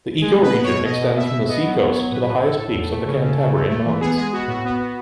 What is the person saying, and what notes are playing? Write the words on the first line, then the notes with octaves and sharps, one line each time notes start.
The ecoregion extends from the seacoast to the highest peaks of the Cantabrian Mountains.
G#3 G#4
B2 B4
B3
B2 C#5
B2 D#5
B2
B2 E5
B2
B3 D#5
F#3
B3
F#3 C#5
A2 B4
A2
A2 A4
A2
E2
A3
C#3
C#3
C#3
A3
A3
E3
B3 G#4
G#3 G#4
B3 F#4
A2 F#4
B3
B3